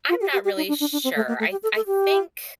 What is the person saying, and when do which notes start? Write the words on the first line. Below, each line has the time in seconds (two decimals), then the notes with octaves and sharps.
I'm not really sure. I th I think,
0.09 F4
0.21 G4
0.33 G4
0.44 G4
0.57 D#4
0.68 D4
0.80 D4
0.92 D4
1.04 C4
1.16 A3
1.28 A#3
1.39 A3
1.51 G4
1.63 A4
1.76 A4
1.87 G4